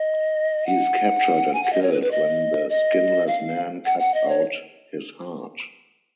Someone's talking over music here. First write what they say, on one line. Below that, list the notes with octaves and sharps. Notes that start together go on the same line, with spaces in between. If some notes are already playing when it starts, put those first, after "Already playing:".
He is captured and killed when the Skinless Man cuts out his heart.
Already playing: D#5
F#5
G#5
F#5
D#5
C#5
B4
B4
D#5
D#5
F5
F#5
F#5
D#5
C#5